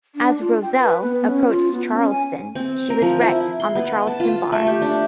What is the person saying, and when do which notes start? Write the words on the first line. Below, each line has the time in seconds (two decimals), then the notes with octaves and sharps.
As "Roselle" approached Charleston she was wrecked on the Charleston Bar.
0.15 D4
0.41 F4
0.62 G5
0.79 B4
1.03 B3
1.26 C#4
1.48 F4
1.72 B3
1.93 C#4
2.10 G#5
2.55 C4
2.90 A#4
3.02 F3
3.21 E4
3.60 C6
3.75 B3
4.07 A5
4.20 F4
4.52 A3
4.67 G4
4.82 D4